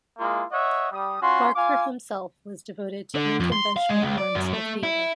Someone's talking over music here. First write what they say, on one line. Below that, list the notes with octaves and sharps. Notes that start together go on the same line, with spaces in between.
Barker himself was devoted to unconventional forms of theater.
G#3 A#3 E4 F4
C#5 D#5 E5 F#5
G3 D#6
C#4 F4 F#4 C6
F4 F5 G#5 D6
D3
F2
C6
F5
G#3
C#2
D5
F#2
A3
E4